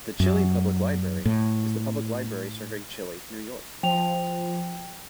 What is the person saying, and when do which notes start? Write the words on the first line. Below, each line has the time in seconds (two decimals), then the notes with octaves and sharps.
The Chili Public Library is the public library serving Chili, New York.
0.20 F#2
1.25 A2
3.83 F3 G5 F7